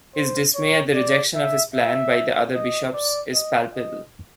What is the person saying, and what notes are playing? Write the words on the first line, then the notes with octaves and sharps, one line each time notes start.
His dismay at the rejection of his plan by the other bishops is palpable.
C5
C#5
D5
E5
E5
D#5
D5
D#5
D#5